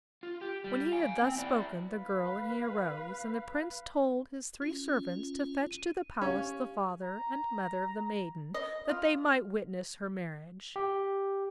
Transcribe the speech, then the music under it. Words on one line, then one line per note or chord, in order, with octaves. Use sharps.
When he had thus spoken the girl and he arose, and the Prince told his three servants to fetch to the palace the Father and Mother of the Maiden, that they might witness her marriage.
F4
G4
G3
F5 G#5
C4 G5
E4 D5
B4 F5
C#4 F4
D#7
C#4 G4 F5
A#5
D#5
F4
G4